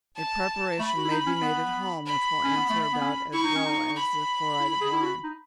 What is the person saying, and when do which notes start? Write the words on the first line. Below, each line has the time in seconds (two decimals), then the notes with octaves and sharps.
A preparation may be made at home which will answer about as well as the chloride of lime.
0.16 A5
0.79 A3 B5
0.97 F#4
1.04 E4
1.11 D#4
1.27 C#4
1.42 B3
2.06 B5
2.44 C#4
2.57 B3
2.69 A3
2.93 B3
3.01 C#4
3.33 E4 C#6
3.43 D#4
3.55 C#4
3.65 D#4
3.96 B5
4.60 E4
4.81 G#4
4.92 E4
5.02 F#4
5.23 D#4